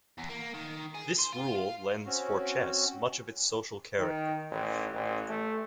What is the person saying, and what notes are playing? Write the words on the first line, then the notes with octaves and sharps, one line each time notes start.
This rule lends Forchess much of its social character.
E2
A#3
D#3
G#4
C5
F4
F5
C4 C#4 F#4
D#3
A1
A1
A3